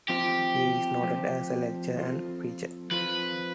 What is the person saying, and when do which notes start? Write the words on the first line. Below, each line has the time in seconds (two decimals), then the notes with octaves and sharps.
He was noted as a lecturer and preacher.
0.08 F3 A3 C4 F4 G4 C5
1.02 F3 A3 C4 F4 C5
1.96 F3 C4 F4 A4 C5
2.91 F3 C4 F4 A4 B4 C5